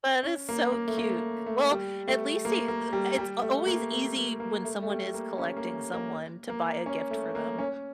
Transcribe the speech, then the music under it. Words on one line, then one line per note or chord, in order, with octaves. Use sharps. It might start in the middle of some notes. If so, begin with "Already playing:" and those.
That is so cute. Well, at least he eh it's a always easy when someone is collecting someone to buy a gift for them.
C#4
A#3
A#3
A3
A#3
A3
G3
A3
A#3
A#3
G3
G3
A3
A#3
A3
A#3
A#3
A3
A3
G3
A#3
C#4
A#3
A#3
A#3
C#4
A3
A#3
C#4